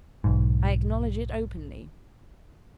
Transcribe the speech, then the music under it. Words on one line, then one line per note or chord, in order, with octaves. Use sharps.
I acknowledge it openly.
B1 G#2